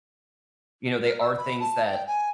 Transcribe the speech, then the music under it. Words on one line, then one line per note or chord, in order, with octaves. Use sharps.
you know, they are things that
A#4
E6
B5
A5
G5
G#5